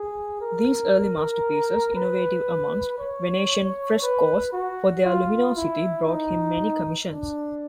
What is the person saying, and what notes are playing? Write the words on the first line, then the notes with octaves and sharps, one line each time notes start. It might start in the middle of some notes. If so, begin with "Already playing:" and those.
These early masterpieces, innovative amongst Venetian frescoes for their luminosity, brought him many commissions.
Already playing: G#4
A#4
B4
C#5
B4
F#4
F4
E4
D#4
D4